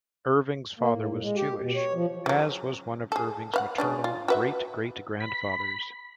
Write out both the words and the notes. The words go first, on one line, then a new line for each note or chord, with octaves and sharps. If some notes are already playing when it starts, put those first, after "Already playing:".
Irving's father was Jewish, as was one of Irving's maternal great-great-grandfathers.
A#3
A2
A#2
G#3
G4
B2
C#5
F3
C#3 F#3
G#4 A4
B4 F5 F#5
G#3 C#4 D4
F4
F#4 B4 E5
B5